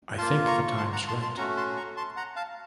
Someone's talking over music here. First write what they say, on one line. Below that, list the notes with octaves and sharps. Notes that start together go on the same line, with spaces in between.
I think the time's right.
A#3 F4 A5 C6
A#5 C#6
C#6
A5 C6
F#5 A#5
A5 C6
A5 C6
A3 C#4 F#4 A#5 C#6
A5 C6
A#5 C#6
A5 C6
F#5 A#5
F5 A5